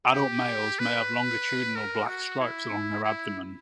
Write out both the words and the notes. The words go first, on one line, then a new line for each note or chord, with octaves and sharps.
Adult males may have longitudinal black stripes along their abdomen.
G4
B4
A#4
F#4
E4
E4